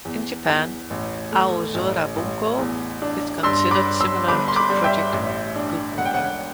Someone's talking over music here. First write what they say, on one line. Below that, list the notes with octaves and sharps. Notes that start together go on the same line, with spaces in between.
In Japan, "Aozora Bunko" is considered similar to Project Gutenberg.
E2
E2
A1
A3
A1
A1
E2
D4
G2 C6 E6
B5 D6
G2
C6 E6
G1 B5 D6
C6
B5 D6
G3
E5 G5
A1
D4
E1 F#5
G5
F#5